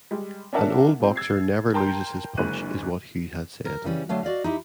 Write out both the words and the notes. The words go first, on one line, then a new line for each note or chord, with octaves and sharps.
An old boxer never loses his punch is what Hugh had said.
G3 G#3
C#4 D4 A#4 E5 F#5 A5
A#2 C4
E6 G#6 A6 C7
A#4 G5 A5 A#5 C6 G6
F#1 D2 G#3 A#3 F#6 D#7
A#4
C#3 E3 G3 C#4
D3 F#3 A3 F5
F#4 D5 D#5 F5
D#4 E4 G4